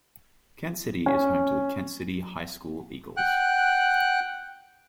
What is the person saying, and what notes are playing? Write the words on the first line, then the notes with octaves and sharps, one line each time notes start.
Kent City is home to the Kent City High School Eagles.
C#4
F#5 G5 F#6